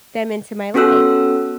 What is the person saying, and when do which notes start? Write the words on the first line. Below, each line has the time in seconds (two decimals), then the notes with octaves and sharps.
them into my life.
0.74 B3 C#4 F#4 A4 E6 F#6